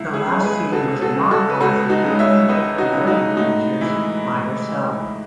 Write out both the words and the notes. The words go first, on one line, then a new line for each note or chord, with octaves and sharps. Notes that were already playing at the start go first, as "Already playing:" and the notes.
The last scene was a montage of Vivian taking wedding pictures by her self.
Already playing: C#2 E4
E4 G#4
C#3 G#3
G#4 B4
C#2 F#4 A4
F#4 A4
C#3 G#3
F#4 A4
B4
C#2 F#4 A4
D#4 F#4
C#3 G#3
C#5 E5
C#2 B4 D#5
D#4 F#4
C#3 G#3
D#4 F#4
A2 D#4 F#4
E3 G#3 E4
A2
E3 G#3